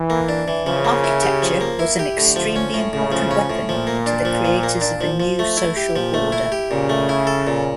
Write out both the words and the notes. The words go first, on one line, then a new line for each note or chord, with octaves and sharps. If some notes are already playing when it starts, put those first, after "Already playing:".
Architecture was an extremely important weapon to the creators of a new social order.
Already playing: E3
A#3
D4
E3
C#3 F3
A#3
E4
G4
F3
A#3
E4
G4
A2 D3
F3
C#4
A2
A2 C#3
F3
C#4
A2
A#2 F3
A#3
D4
F3
F3
A#3
D4
F3
F3
A3
E4
G4
A#2 F3
A3
E4
G4
A#2 C#3
A3
E4
A4
A#2